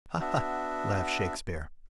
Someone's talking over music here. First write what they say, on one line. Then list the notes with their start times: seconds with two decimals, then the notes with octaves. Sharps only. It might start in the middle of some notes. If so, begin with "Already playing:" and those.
"Ha-ha!" laughed Shakespeare.
0.20 B3 D4 F#4 E5